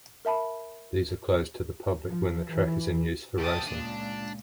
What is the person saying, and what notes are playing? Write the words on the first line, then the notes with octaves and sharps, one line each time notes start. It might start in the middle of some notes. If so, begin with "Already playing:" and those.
These are closed to the public when the track is in use for racing.
A#4 E5 A5 B5
F3
E3
E2 C3 G5 A5 D#6
C#2 A#2 D4